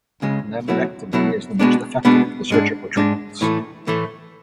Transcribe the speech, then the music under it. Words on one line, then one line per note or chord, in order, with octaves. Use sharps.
Laminectomy is the most effective of the surgical treatments.
C#2 C#3 G#3
B2 F#3 A3 E4
B2 F#3 A3 E4
B2 G#3 B3 D4
B2 G#3 B3 D4
G#2 G#3 D4
G#2 G#3 D4
A2 E3 A3
A2 E3 A3